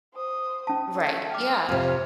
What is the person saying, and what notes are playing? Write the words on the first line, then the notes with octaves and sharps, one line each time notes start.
Right. Yeah.
C5 D#6
C#4 A5
A3
G5 D6 F6
F2 C3